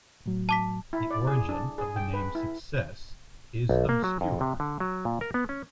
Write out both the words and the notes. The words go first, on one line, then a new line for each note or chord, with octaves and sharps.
The origin of the name "Success" is obscure.
A2 F#3
A5 D6 B6
E4
D5
G#4
D4
G#4
G5
B4
E4
B1
A#3
F#3
F2
C3
D3
F#3
A#2
A#4
B3
C#4